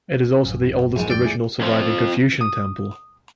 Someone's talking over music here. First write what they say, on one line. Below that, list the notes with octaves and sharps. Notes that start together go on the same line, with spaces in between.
It is also the oldest original surviving Confucian temple.
A1 F#2
A#1 G#2
F2 G#2 B2 D5 G5
A3 E4 G#4
F2 F3
D#6